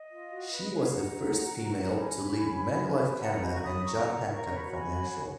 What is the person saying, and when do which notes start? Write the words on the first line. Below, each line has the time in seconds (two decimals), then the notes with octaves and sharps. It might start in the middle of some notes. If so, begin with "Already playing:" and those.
She was the first female to lead Manulife Canada and John Hancock Financial.
Already playing: D#5
0.10 F4
0.31 F#4
0.52 B4
0.71 B4 C#5 F5
0.92 F#4 F#5 A#5
1.14 D#4
1.34 F#4
1.55 F#4
1.76 D#4
1.96 C#4 G#5 B5
2.17 C#4
2.39 C#4
2.59 C#5
2.80 B4
3.00 B4
3.20 B4 F#5 A#5
3.31 F#5 A#5
3.41 F#4 G#5 B5
3.52 A#5 C#6
3.62 C#5 B5 D#6
3.83 C#5 A#5 C#6
4.03 C#5 F#5 A#5
4.25 A#4
4.34 A#5 C#6
4.45 C#5 C#6
4.54 B5
4.64 F#4 A#5
4.72 G#5 B5
4.87 F#4
5.08 C#5